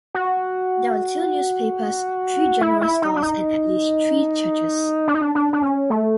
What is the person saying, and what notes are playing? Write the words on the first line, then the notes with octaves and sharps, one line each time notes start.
There were two newspapers, three general stores and at least three churches.
F#4
E4
E4
D#4
D4
D#4
D4
D#4
D4
D4
D4
C#4
A3